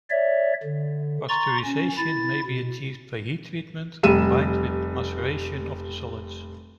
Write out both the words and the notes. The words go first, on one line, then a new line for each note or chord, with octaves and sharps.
Pasteurisation may be achieved by heat treatment combined with maceration of the solids.
C#5 D5 E5
D3
A#5 C6 C#6 A6
C#4
E4 A6
B2
F1 G3 D#7 E7